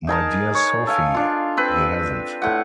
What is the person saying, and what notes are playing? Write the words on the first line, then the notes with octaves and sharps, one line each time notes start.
My dear Sophie, he hasn't.
D#4 G#4 A#4 A5
C#5
A4 F5 G#5
D4 F4
C4 B4
A2 F#5